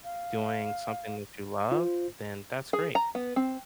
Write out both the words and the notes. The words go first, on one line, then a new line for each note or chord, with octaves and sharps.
doing something that you love, then that's great.
F5
F4 C5
G#4
A#5
B3
C4